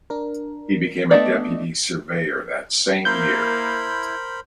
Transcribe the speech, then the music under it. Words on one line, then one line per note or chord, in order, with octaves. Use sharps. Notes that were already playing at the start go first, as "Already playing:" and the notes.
He became a deputy surveyor that same year.
D4 A#4
A3 B3 D4 D5 D#5
A#3 E4 A#4 C5 B5 G6